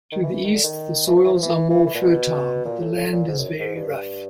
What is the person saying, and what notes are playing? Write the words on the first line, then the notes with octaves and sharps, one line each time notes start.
To the east, the soils are more fertile, but the land is very rough.
D#3
E3
E3
D#3
D3
D#3
E3
F3
E3
F3
E3
E3
E3
A#2
B2
A#2
A2
A2
A#2
G#2
F#2
G#2
G2